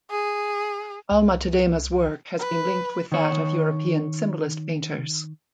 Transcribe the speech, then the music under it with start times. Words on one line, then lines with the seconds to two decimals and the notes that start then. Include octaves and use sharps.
Alma-Tadema's work has been linked with that of European Symbolist painters.
0.11 G#4
1.11 C2
2.39 B4
3.12 D#3 C#5